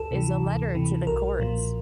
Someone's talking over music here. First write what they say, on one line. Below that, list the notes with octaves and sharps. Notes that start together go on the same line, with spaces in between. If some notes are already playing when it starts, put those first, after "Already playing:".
is a letter to the courts.
Already playing: D2 A4
C3 E3
D2
C3 E3
B1 A#4
A#2 F3